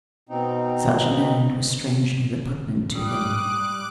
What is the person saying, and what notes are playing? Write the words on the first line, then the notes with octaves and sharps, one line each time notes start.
Such an errand was strangely repugnant to him.
B2 C4 D#4
G3 D6 D#6 F#6